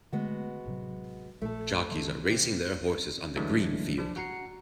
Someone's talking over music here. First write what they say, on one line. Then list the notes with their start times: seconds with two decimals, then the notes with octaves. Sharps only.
Jockeys are racing their horses on the green field.
0.13 D3 G#3 A3 B3 F#4
0.66 A1 C3 F#3
1.42 A#1 A#2 A3 A4
1.91 D#3 E3
2.30 C3
3.36 D3 E3 F#3 G#3 A3 D4
3.98 F3 D4
4.16 F#4 F#5 A#5 C7 C#7